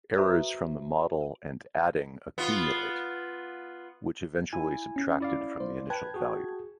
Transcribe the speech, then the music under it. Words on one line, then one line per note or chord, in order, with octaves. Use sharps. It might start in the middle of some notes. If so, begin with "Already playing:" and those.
Errors from the model and adding accumulate, which eventually subtracted from the initial value.
F#4 A4 B4 C5 E5 A#5
B3 F4
E4 G#5
C#4
E4 D5 F5
C5
B4 G5 A5 G#6
F#4 G#4